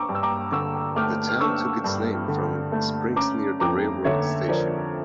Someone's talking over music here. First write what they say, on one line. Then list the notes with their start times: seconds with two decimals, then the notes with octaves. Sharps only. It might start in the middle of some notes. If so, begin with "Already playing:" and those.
The town took its name from springs near the railroad station.
Already playing: D4 A#5 C#6 D6 E6
0.09 G2
0.15 E6
0.23 A#5 D6
0.52 D3 C#6 E6
0.96 A3 D6 F6
1.29 F6
1.40 D4 C#6 E6
1.84 G2
2.28 D3
2.72 A3
3.16 C#4 A#5 D6
3.60 F2 A#5 D6
4.04 D3 C#5 E5
4.48 F3 A#4 D5